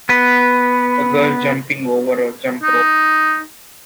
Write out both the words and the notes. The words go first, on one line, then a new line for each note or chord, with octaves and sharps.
A girl jumping over a jump rope.
B3 B4
D#4